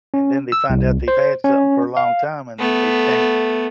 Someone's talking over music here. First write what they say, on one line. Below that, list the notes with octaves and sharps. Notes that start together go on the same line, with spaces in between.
and then they find out they've had something for a long time and they can't
C#4
E6
C2
C5
C#4
F5
A3 B3